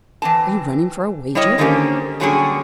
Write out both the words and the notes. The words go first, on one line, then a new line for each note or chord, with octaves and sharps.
"Are you running for a wager?"
E3 C4 A5
G3 E4 C#5 D#5
D3 D#3 A#3 C4 C#4 G4
A#2 D3 F#3 G3 C#4 G#4